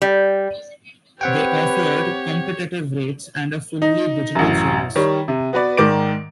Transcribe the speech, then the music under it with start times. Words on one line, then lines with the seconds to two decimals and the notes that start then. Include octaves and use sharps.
They offered competitive rates and a fully digital service.
0.02 G3
1.21 C4 G4 B4 C#5 F#5 G5
3.82 D#4
4.35 A1 F#2
4.96 D#3 G3 C#5
5.28 C3
5.53 B3 F#4 B4 D5
5.77 G#2 D#3 D5 D6 D7